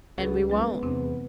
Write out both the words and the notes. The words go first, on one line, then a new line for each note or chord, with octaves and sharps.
And we won't.
C#2 D3 G#3 B3 C#4 G#4 A4
F#2 F#3 G#3 B3
E2 C3 C4 D4